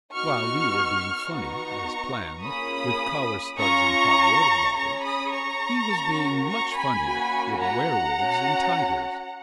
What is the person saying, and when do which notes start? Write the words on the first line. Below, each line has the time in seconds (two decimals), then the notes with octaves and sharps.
While we were being funny, as planned, with collar-studs and hot-water bottles, he was being much funnier with werwolves and tigers.
0.15 B3 D#4 F#4 C#6 F6
1.29 B3 D#4 F#4 A#5 C#6
2.44 A#3 C#4 F4 G#4 B5 D#6
3.59 C#4 F4 G#4 A#5 C#6
4.73 C#4 G#4 A#5 C#6
5.03 B5 D#6
5.31 A#5 C#6
5.88 A#3 C#4 F#4
6.46 A#5 C#6
6.75 G#5 B5
7.04 A#3 C#4 F#4
7.61 F#5 A#5
8.19 C#4 F#4